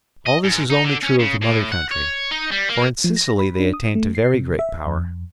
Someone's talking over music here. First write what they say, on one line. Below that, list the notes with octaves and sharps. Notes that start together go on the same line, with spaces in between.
All this is only true of the mother country, for in Sicily they attained to very great power.
D#5
G#2
D#4
D3
C#4
C#3
A2
F#5
C#5
D#4
G3
A#3
F3
A#6
B5
D4
D#6
A3
C7
C3
E5
F2